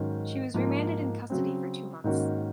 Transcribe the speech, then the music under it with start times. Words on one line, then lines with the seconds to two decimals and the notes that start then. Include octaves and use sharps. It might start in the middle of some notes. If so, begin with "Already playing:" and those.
She was remanded in custody for two months.
Already playing: G#2 D#3 F#3 C#4
0.54 G#2 F3 A#3
1.30 C#3 F#3 C4
2.04 G#2 D#3 A#3 C#4 F#4